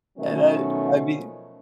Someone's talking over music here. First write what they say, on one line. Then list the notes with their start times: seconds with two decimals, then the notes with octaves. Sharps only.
And I I mean
0.18 B2 D#3 F3 F#3 A3 C#4